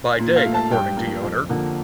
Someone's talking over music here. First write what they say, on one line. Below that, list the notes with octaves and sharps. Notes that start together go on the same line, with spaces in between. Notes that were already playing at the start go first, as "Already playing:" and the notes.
By day, according to Yoder.
A#2
F5
A3
A5
G2 G5
F3 A#3
F2
D3 F3 A#3